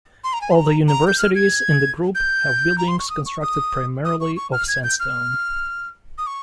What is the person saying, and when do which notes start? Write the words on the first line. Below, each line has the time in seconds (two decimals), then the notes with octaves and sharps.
All the universities in the group have buildings constructed primarily of sandstone.
0.24 C6
0.33 A#5
0.41 G#5
0.51 C6
0.55 A#5
0.88 A#5
1.08 G6
1.19 F6
1.35 G#6
2.15 G6
2.78 A#5
2.88 C6
2.99 C#6
3.10 D#6
3.26 C#6
3.42 D#6
4.05 D#6
4.21 C#6
4.37 C#6
4.52 F6
4.68 G#6
4.84 G6
5.00 F6
6.18 D#6
6.27 C#6